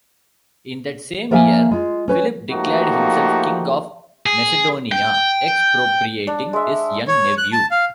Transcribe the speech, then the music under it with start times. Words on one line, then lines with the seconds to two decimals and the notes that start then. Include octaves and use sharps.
In that same year Philip declared himself king of Macedonia, expropriating his young nephew.
1.31 F3 A#3 A#4 E5 F5 G#5
1.71 G#3 F4
2.08 C#4 B4 C#5
2.50 F3 A3 A#3 D#4 F#4 G4
4.26 G#4
4.92 G5
6.27 D4
6.53 G#3 E5
7.08 C#5
7.38 F#6
7.53 A5
7.71 F5